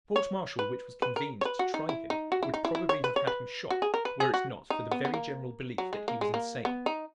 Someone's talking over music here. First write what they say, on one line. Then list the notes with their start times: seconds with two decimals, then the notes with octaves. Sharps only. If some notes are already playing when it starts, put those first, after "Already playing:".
The court-martial which was convened to try him would probably have had him shot were it not for the very general belief that he was insane.
0.16 C#5
0.59 B4
1.02 B4
1.16 A#4
1.41 C#5
1.45 B4
1.59 F#4
1.74 D#4
1.89 E4
2.10 D#4
2.32 F#4
2.43 E4
2.54 D#4
2.65 E4
2.75 E4
2.89 C#5
3.04 B4
3.16 C#5
3.27 B4
3.70 F#4
3.82 G#4
3.94 A#4
4.05 B4
4.20 G#4
4.34 F#4
4.70 D#4
4.91 B3
5.05 B3
5.14 A#3
5.78 F#3
5.93 G#3
6.08 A#3
6.21 G#3
6.34 A#3
6.65 B3
6.86 D#4